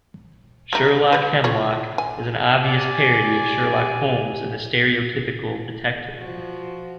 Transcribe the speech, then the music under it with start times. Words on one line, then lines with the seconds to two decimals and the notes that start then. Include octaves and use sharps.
Sherlock Hemlock is an obvious parody of Sherlock Holmes and the stereotypical detective.
0.73 G3 A3 D#4
1.12 G3 B4
1.44 F4 G#4 C#5
1.98 G#5
2.63 G4 D5 G#5
6.18 F3 F#4